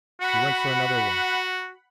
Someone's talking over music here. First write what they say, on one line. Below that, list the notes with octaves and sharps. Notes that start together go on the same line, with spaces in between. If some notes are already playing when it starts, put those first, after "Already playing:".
We went for another walk.
F#4 F#5 B5